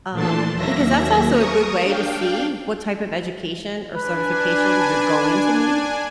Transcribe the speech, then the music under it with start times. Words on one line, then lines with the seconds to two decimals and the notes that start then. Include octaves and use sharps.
Um, because that's also a good way to see, what type of education or certification you're going to need.
0.11 A#2 E3 A3 D4 A5 C6
0.54 D#2 F#3 A#3 E5 A#6
1.31 A#4 C#6 D#6
1.81 D4 F5 G5
3.96 D4 B4 G#5